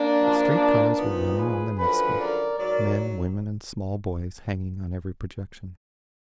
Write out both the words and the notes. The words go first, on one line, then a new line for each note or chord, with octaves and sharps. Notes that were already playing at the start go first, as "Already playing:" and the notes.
The street-cars were running on the Nevsky, men, women and small boys hanging on every projection.
Already playing: A#3 D4
F#2 F3
A#2 F3 B3 D#4
G#4 B4
F#2 D3 F3 G#4 B4
A#4 D5
G#2 F#3 A#4 D5